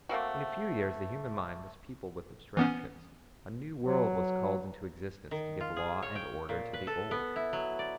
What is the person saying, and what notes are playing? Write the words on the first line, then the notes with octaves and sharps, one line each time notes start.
In a few years the human mind was peopled with abstractions; a new world was called into existence to give law and order to the old.
A3 A#3 C4 F#4
E3 B3 C#4
F#3
D#3
F4
G#4
C#5
G5
A#2
B4
A4
B3
E4
F#3
D5